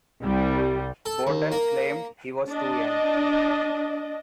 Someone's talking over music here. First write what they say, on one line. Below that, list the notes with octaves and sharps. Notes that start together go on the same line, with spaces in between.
Bordat claimed he was too young.
C2 G3
A4
D#2
A#3
D4 D#5